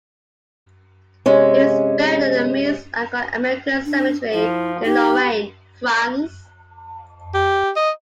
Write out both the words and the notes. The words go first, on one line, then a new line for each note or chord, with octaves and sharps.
He was buried at the Meuse-Argonne American Cemetery in Lorraine, France.
C3 G#3 C#4
D4
F3 E4
D#4 G4
G4
D#5